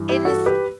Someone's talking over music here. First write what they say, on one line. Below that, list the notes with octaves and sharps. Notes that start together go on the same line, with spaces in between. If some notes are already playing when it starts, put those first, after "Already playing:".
It is
Already playing: G2 E3
E4 G4
F#4 A4
G4 B4